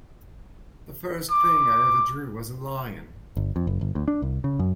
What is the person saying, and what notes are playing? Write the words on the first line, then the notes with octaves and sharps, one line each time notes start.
The first thing I ever drew was a lion.
D6
G1
F2
F#1
G1
D2
D4
C2
C#3
F#2